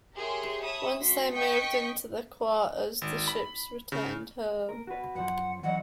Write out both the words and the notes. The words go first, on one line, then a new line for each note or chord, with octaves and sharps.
Once they moved into the quarters, the ships returned home.
G4 G#4 A#4 C#5 E5 C6
C#5 E5 A5 B5 D#6
A3 F#4 C6 B6
D#5 G5 C#6 D#6 B6 C#7
G#1
B5
C#3
A#4
F#4 B4
F#2 F3 F#5
E3 F#3 D#5 F#5